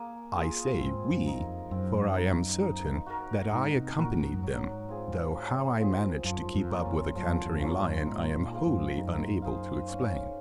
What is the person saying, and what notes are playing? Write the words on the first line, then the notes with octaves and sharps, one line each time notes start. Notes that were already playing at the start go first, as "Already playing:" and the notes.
I say 'we,' for I am certain that I accompanied them though how I managed to keep up with a cantering lion I am wholly unable to explain.
Already playing: A#3 G#4
F4 G#4
F#2
G#2 C4
F#2
D#4 A#4
F2
F#2 C4
D#4 A#4
D#4
F#4 A#4
G#2 D#4
C3
A#2 F#4 A#4
A#2
G#2
F#2
G#2 F#3
C4 F4 G#4
F#3
C4 F4 G#4
F#2 F3
F#2
F2
A#3 C#4 F4
F2
F#2 F3
F2
A#3 C#4 F4
F#2
G#2 D#4
A#2
G#4 C5 F5
F#2
F#2 D#4
G#4 C5 F5
C#4